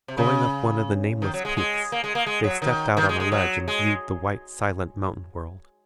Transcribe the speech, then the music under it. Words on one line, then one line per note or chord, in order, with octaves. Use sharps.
Going up one of the nameless peaks, they stepped out on a ledge and viewed the white, silent mountain-world.
C3
C#3
D#3
F#3
G#3
G#3
A#3
G#3
A#3
G#3
F#3
D#3
D#3
G#3
G#3
F#3
G#3